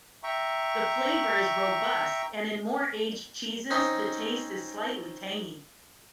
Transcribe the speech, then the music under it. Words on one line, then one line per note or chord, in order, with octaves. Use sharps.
The flavor is robust, and in more aged cheeses the taste is slightly tangy.
E5 G5 A#5 C#6
C4 C#4 D#4